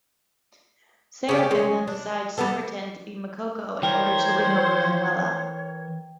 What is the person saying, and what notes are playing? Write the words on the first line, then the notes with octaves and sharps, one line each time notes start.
Serafin then decides to pretend to be Macoco in order to win over Manuela.
C#3 G4 D5
G#3 C#4
D4
G3 G#3 B3 A4
E3 A#4 C5 C#5 G5